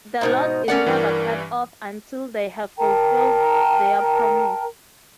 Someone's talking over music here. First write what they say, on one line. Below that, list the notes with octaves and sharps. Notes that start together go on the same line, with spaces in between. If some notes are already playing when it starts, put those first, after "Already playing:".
The lock is never cut off until they have fulfilled their promise.
G#2 B2 D#4 C5
A3 B3 C#4 A#4 D5 F#5
G2 E3
A#4 G5 A5 A#5